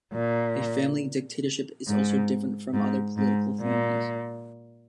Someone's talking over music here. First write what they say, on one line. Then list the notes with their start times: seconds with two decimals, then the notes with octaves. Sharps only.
A family dictatorship is also different from other political families.
0.13 A#2
1.88 G#2
2.74 G#2
3.17 G#2
3.61 A#2